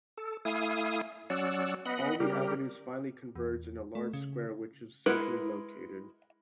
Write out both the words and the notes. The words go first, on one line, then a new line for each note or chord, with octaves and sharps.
All the avenues finally converged in a large square which was centrally located.
A4
A3 E4 F5 G#5 D#6
F#3 C#4 D5 F#5 E6
B3 D#5 F#5 B5
C#3 G3 G4 A#4
E2
A3
C#3
G#3 E4 A#4 B4 F#5